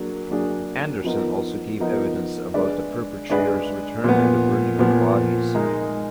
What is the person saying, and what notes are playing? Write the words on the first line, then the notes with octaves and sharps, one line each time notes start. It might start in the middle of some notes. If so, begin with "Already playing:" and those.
Anderson also gave evidence about the perpetrators' return and the burning of the bodies.
Already playing: F#3 A#3 D4 G#4
F#3 A#3 D4 G#4
F3 B3 D#4 A#4
F3 B3 D#4 A#4
G#3 D4 G#4 B4 D5
G#3 D4 G#4 B4 D5
A#2 F3 B3
A#2 F3 B3
G#3 D#4 A#4